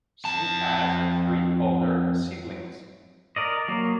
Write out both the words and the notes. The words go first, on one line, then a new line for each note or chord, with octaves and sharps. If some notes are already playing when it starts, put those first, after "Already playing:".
She has three older siblings.
F2 A5
A#4 D5 D#5
F#3 A#3